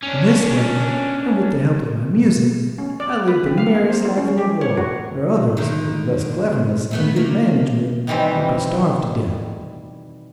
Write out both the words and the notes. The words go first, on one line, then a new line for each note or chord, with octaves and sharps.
In this way, and with the help of my music, I lead the merriest life in the world, where others, with less cleverness and good management, would be starved to death.
C#4 D4
C#4
D5
B4
C4
F5
A#3
C5
F4
C#4
G4
C#5
F#4
D3 D#3
A#2 A3 B3
A#3 D4
B2 D#3 E3 G3 C4